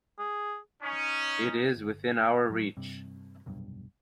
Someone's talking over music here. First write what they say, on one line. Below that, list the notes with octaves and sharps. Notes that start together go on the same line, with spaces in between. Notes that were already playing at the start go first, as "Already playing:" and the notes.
It is within our reach.
G#4
C#4 D#4
G1
D1 A2 F#3
G2 C3
F1 B1 G2